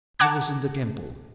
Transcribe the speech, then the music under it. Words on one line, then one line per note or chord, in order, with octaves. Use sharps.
I was in the Temple.
F#5 A5 A#5 D6 F#6 G#6